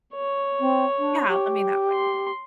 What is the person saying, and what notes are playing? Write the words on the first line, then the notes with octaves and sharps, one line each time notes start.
yeah, I mean that way.
C#5
C4
D4
G4
C6